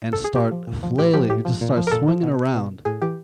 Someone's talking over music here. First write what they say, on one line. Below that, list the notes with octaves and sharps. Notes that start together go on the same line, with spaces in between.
and start flailing, we just start swinging around.
A4
G#4
A#2 G4
F3
A#2
F3
A2 G4
F3 G4
A2 G4
F3
A#2
F3
A#4
A#2 A4
F3
B2
B2
A2 G#4
E3 G4